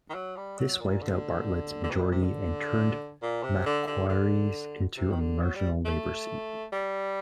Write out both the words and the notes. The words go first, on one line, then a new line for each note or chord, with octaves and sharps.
This wiped out Bartlett's majority and turned Macquarie into a marginal Labor seat.
D#3
F#3
G3
F#3
A#2
D3
D3
C3
A#2
C3
D3
A#2
C3
D3
D3
D3
C3
D#3
D3
F#3
G3
A3
G3